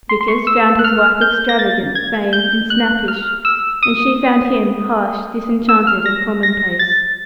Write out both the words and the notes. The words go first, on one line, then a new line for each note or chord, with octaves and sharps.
Vickers found his wife extravagant, vain, and snappish, and she found him harsh, disenchanted, and commonplace.
C6
C6
C#6
E6
F#6
F6
G6
A#6
A6
G#6
G6
F#6
F6
E6
D#6
E6
F6
A#6
A#6
A6